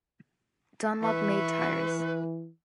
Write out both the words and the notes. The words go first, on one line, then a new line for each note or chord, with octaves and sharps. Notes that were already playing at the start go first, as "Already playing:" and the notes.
Dunlop made tyres.
E3 B4 E5 C#6